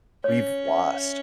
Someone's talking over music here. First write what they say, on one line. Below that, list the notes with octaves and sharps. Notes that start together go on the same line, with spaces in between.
we've lost.
C#4 C#5
E5